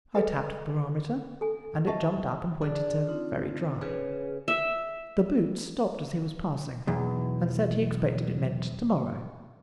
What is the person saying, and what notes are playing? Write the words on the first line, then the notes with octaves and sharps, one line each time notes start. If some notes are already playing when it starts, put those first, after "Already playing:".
I tapped the barometer, and it jumped up and pointed to "very dry." The Boots stopped as he was passing, and said he expected it meant to-morrow.
G#4 A4 B4 D#5 F#5
A4 G#5
D#5 E5 F#5 A5 C#6
D4 G#4
C4 D#4 F4
C#3 G#4 B4
E5
B1 E2